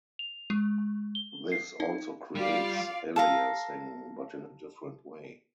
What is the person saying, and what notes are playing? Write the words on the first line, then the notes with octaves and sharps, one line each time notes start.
This also creates aliasing, but in a different way.
F7
G#3
G7
C7
D#4
G3 F4 D5 F5
A4 F5 A#5